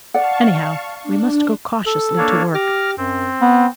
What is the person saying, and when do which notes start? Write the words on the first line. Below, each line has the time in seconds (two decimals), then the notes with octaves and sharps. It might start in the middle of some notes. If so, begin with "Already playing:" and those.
Anyhow, we must go cautiously to work.
0.14 D5 F5 F#5 A5 C#6
1.03 D4
1.87 A4
2.18 A#3 D4 C#5
2.54 G4 D6 F6 A#6
2.97 F#2 C4
3.41 B3